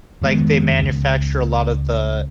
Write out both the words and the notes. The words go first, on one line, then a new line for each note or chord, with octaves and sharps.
Like, they manufacture a lot of the
F2 D#3 G#3 B3
C#2